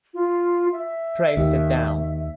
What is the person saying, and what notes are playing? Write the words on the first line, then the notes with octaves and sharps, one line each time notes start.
Pray sit down.
F4
E5
D#2